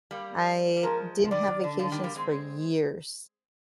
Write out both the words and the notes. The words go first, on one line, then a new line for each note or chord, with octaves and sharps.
I didn't have vacations for years,
G3 A#3
G3
F3 G#3 A#4
F3
D#3 G3 D5
D#3
D3
D3 F3
D#3 G3
G3 A#3
G#3 C4